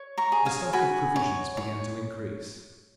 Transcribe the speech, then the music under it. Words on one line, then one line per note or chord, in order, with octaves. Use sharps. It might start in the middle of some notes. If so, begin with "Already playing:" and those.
The stock of provisions began to increase.
Already playing: C#5
A#5 C#6
G#4
F5 G#5
F#4 G#5 B5
C#5
C#5